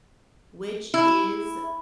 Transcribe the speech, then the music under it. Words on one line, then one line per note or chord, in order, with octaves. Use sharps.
which is
E4